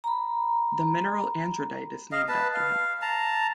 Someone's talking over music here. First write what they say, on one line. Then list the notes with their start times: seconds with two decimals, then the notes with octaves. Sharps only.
The mineral andradite is named after him.
0.04 A#5 B5
2.12 D#5 F5
2.29 B4 A5
2.54 F5
3.02 A5 A#5